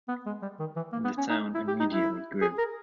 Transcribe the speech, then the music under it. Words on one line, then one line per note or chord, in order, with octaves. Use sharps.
The town immediately grew.
B3
G#3
G3
D#3
E3
A#3
B3
C#4
D#4
E4
G4
D#4
E4
G#4
A#4